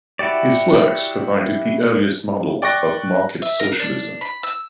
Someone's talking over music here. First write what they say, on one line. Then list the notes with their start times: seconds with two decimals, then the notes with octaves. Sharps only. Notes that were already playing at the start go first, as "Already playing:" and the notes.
His works provided the earliest model of market socialism.
0.19 E4 F#4 G4 D5
2.62 D5 G5 C#6 D6 F#6 A#6
3.42 E5
3.60 A#4
3.79 D4
4.21 B5
4.43 E6